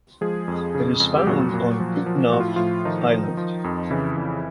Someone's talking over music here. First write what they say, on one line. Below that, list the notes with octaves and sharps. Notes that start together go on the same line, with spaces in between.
It is found on Goodenough Island.
F3 G#3 G#4
F2
C#3
F2
G4
A#2 F#3 F#4
A#2
F3
F3
A2 F#4
F4
E4
A2 F3 F4
D#3 F3 D#4
F3
F3
F2
C#3 E3 E4
F2